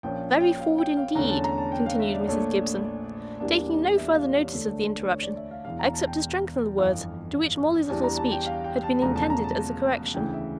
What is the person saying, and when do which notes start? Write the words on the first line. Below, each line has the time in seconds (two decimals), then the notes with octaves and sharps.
"Very forward indeed!" continued Mrs. Gibson, taking no further notice of the interruption, except to strengthen the words to which Molly's little speech had been intended as a correction.
0.03 A#1 A#2 F3 C#4 G5
0.40 G5
0.60 F5
0.78 G5
0.97 F5
1.15 E2 D3 A3 C#4 A#5
1.30 A5
1.44 A#5
1.58 A5
1.72 G5
1.86 F5
2.00 E5
2.14 D5
2.28 A#1 A#2 A3 D4 C#5
2.84 D5
3.40 E2 E3 G3 A#3 D4
3.97 E5
4.11 F5
4.25 D5
4.38 C#5
4.53 D2 D3 A3 D4
5.08 C#5
5.23 D5
5.36 E5
5.51 F5
5.65 E1 E2 E3 F5
5.79 A#5
5.93 A5
6.07 G5
6.77 G1 F2 E3 F5
7.90 E2 E3 G3 D4 A5
8.04 A#5
8.17 A5
8.32 G5
8.46 F5
8.64 G5
8.83 A5
9.02 E1 E2 C#3 F3 A3 A#5
9.16 A5
9.30 A#5
9.44 A5
10.14 D2 C#3 E3 G5
10.33 E5